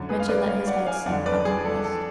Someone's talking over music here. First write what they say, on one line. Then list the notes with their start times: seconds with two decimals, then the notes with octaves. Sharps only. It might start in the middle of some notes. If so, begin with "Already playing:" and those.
Mitya let his head sink on her breast.
Already playing: F#2 D3
0.09 G#4 B4
0.20 F5
0.28 B4 D5
0.48 C#5 F5
0.67 D5 F#5
0.86 F5 G#5
1.06 F2 D5 F#5
1.10 D3
1.26 B4 D5
1.45 G#4
1.65 A4
1.84 A4